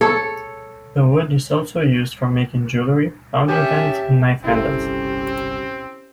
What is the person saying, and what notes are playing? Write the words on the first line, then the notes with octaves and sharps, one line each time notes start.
The wood is also used for making jewelery, fountain pens and knife handles.
A4 C#5
C#4 G4 G#4 E5 A5 E6
G1 C2 C4 C#4 E4 G4 A4